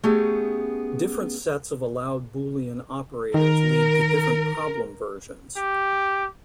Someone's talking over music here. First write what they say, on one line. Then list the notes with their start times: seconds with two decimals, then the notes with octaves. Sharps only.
Different sets of allowed boolean operators lead to different problem versions.
0.04 A3 B3 C#4 G4 G#4
3.34 D#3 A#4
5.57 G4